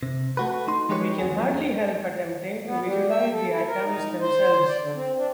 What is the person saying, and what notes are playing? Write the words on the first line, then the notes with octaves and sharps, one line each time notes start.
We can hardly help attempting to visualize the atoms themselves.
C3
A3 F#4 B4
D#4 C6
F3 G#3 D#4 G4 B4 C#5
F2 F#3 G#4
B3
G3
E5
A4
E4
A#4
D#4
C5
D5
D3
C4
D4